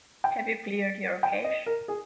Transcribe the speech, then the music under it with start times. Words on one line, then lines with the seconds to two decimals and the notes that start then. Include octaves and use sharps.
Have you cleared your cache?
0.24 G5
1.23 G5
1.44 D#5
1.66 A#4
1.88 G#4